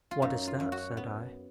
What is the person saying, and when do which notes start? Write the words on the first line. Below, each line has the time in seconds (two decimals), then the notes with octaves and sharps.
'What is that?' said I.
0.11 F4
0.22 F#2 D#4
0.47 F4
0.60 F#2
0.72 F#4
0.97 B3